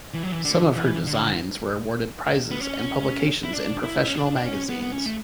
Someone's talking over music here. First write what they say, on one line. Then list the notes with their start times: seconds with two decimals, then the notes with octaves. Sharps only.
Some of her designs were awarded prizes and publications in professional magazines.
0.14 E3
0.23 F#3
0.32 E3
0.45 D3
0.76 E3
1.07 D3
2.51 B3
2.61 C#4
3.44 E4
3.53 D4
3.84 E4
4.07 C#4
4.15 D4
4.36 D4
4.46 C#4
4.69 B3
4.82 B3
4.92 C#4
5.06 A3